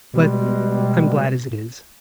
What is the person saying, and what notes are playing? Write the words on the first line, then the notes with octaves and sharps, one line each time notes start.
But I am glad as it is!
B2 G3 G#3